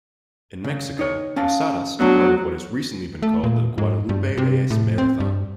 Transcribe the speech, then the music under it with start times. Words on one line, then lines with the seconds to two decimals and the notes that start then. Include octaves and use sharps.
In Mexico, posadas are part of what has recently been called The Guadalupe-Reyes Marathon.
0.64 C#3
0.99 D#4 C#5
1.36 C#4 F5 A5
2.00 F#3 A3 B3 D4
3.22 A3
3.44 A#2
3.78 G#2
4.09 G2
4.37 C3
4.70 A2
4.98 C4
5.20 G2